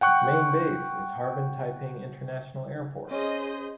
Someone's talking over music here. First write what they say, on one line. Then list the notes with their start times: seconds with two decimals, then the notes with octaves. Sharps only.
Its main base is Harbin Taiping International Airport.
0.01 F#5 G5 C#6 F#6
3.11 C#4 G#4 C5 D#5